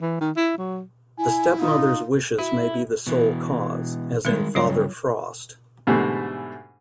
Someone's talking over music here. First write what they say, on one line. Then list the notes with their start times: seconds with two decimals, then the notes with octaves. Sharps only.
The stepmother's wishes may be the sole cause, as in Father Frost.
0.01 E3
0.21 D#3
0.36 E4
0.58 F#3
1.18 E4 G#5
1.59 D#4 F4
2.39 E4 F#4
3.07 B2 E3
4.25 D#3 G3 G#3 D#4 A#4
4.55 G2 C#3 F#3 F4 C#5
5.87 G#2 B2 D3 E3 G3 A3